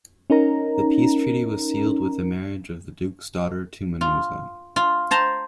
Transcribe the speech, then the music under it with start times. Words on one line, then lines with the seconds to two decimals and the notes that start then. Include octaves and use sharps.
The peace treaty was sealed with the marriage of the Duke's daughter to Munuza.
0.30 C#4 D#4 A#4 A#5
4.01 F4
4.76 F4
5.11 C5 A5 A#5 C6